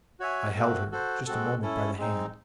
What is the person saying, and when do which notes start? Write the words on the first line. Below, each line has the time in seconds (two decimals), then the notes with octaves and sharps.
I held her just a moment by the hand.
0.20 F#4 C#5 E5 G#5
0.55 A3 C4 F#4
0.91 F#4 A4 C5
1.26 G#3 C4 F#4 A4
1.62 C#4 E4 A4
1.97 G#3 C4 D#4